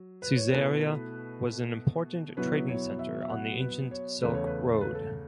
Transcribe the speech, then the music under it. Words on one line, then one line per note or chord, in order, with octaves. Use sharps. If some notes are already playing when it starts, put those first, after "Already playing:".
Caesarea was an important trading centre on the ancient Silk Road.
Already playing: F#3
B4
C#5
B2 A3 E4 B4
B2 F#3 B3 E4 B4
C#5
E5
E5
F#5
B4
C#5
E2 C#3 A3 B4
C#5
B4
A4
B4
A4